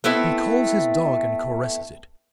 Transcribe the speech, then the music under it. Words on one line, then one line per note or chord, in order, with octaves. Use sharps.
He calls his dog and caresses it.
A3 B3 C4 E4